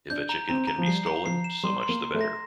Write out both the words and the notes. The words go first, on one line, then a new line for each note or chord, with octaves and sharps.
If a chicken can be stolen, so much the better.
D4 G6
A#5
C4 A#5
A#5
F3
G3 C7
A#5
F3 C7
E7
G3 C6
C6
A#3
C6
A3
A#6